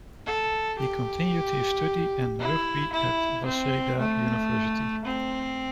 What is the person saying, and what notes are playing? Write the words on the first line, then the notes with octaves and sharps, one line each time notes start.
He continued his study and rugby at Waseda University.
A4
G4
E4
E4
C4
A3
C4